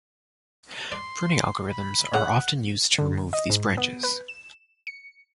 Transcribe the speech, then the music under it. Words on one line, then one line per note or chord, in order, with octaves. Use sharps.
Pruning algorithms are often used to remove these branches.
D5 C6
B5
C#3 F#5
D3
D#5
G#2
B3
B4
E7
C#7